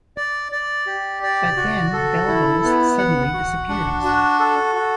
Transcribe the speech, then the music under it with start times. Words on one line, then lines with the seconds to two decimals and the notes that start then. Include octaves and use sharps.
But then, Belboz suddenly disappears.
0.17 D5
0.52 D5
0.86 G4
1.23 D5
1.57 F#4
1.93 A4
2.28 E4
2.64 B3
2.98 F#5
3.34 F#4
3.69 D4
4.04 F#4
4.40 A4
4.75 F#4